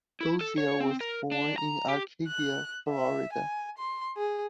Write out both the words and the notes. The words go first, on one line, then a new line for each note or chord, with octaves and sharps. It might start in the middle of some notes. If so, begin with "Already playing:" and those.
Dozier was born in Arcadia, Florida.
E4
A4
C#5
C4
A#4
D4
A#5
G4
F#6
E5
G#5
C6
G#4